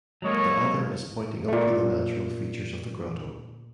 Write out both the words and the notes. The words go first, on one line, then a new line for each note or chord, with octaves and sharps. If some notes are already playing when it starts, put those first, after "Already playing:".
The other is pointing up to the natural features of the grotto.
F#3 G#3 A#3 A4 C#5 D#5
A#2 A3